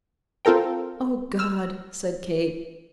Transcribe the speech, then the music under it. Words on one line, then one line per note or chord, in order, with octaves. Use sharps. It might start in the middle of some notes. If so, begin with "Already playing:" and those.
"O God!" said Kate.
C4 F4 A4 A#4 G5
E6 F6